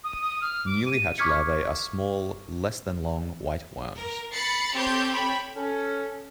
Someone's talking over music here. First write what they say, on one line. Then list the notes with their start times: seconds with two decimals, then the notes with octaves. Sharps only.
Newly hatched larvae are small, less than long, white worms.
0.04 D#6
0.22 D#6
0.41 F6
0.66 D6
0.86 D#7
1.18 C#6 D6 F6 G#6 B6 C#7
3.96 A#4
4.33 B5 A6 C7 C#7
4.74 C4 G4 A4 C#5 C6 G6
5.09 A4 C#5 G5 B5
5.57 C#4 A4